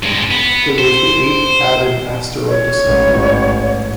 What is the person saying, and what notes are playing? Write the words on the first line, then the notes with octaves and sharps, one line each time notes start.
It was the eighth Aten asteroid discovered.
G2 G#3
B3
C5
C#5
A1 G#2